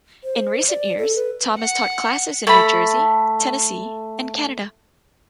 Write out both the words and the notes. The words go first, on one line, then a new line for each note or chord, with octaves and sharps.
In recent years Tom has taught classes in New Jersey, Tennessee, and Canada.
C5
D5
A4
B4
F#5
A3 B5